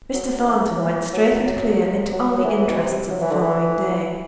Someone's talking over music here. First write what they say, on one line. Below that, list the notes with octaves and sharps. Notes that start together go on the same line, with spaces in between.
Mr. Thornton went straight and clear into all the interests of the following day.
F#3
E3
F#3
E3
F#3
F#3
F#3
F#3
E3
B2
C3
F#3
E3
D3
E3